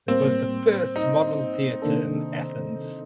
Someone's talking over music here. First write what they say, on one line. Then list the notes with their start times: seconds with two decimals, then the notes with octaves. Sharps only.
It was the first modern theatre in Athens.
0.08 A2 G3 A#3 C4
0.96 D#4
1.82 C3 D#3 A#3 D4 A4